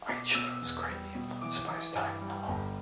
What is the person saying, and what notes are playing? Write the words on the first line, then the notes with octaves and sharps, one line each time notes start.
Eichler was greatly influenced by his time in the home.
B2 D6
B2 E6
E2
G3
B2
E3 D6
E3
G2
G3
G1